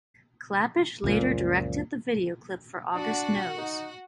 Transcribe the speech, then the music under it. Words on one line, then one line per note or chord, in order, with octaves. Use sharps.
Klapisch later directed the video clip for "August Knows".
C#2 F#2 A#2 F3
D4 F#4 F#5
D#4